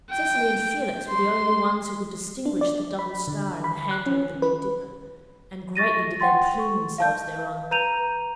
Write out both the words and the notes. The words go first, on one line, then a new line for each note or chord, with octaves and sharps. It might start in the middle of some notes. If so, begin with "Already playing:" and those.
Cecily and Felix were the only ones who could distinguish the double star in the handle of the Big Dipper, and greatly did they plume themselves thereon.
G5
C6
D4
D5
B5
D3
B5
F#6
C#4
B4
C#6 A6 A#6 D#7
F#5 G5 C6 A6
C#6
F5 A5 G6
B4 A#5 G6 D#7 F7